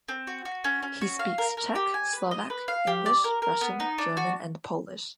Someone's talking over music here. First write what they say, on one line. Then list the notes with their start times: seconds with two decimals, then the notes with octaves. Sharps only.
He speaks Czech, Slovak, English, Russian, German and Polish.
0.09 C4
0.27 F#4
0.45 F#4
0.64 C#4
0.83 C#4
1.01 F#4
1.19 F5
1.38 A#4
1.57 A#4
1.75 G4
1.94 G#5
2.13 B4
2.31 D#5
2.50 B4
2.68 F5
2.87 G4
3.06 D5
3.24 A#4
3.42 A#4
3.61 B3
3.80 D#4
3.98 D4
4.17 F#4